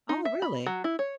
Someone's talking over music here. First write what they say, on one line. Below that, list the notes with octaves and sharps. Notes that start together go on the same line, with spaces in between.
Oh, really?
D#4
E5
B5
F#3
E4
C#5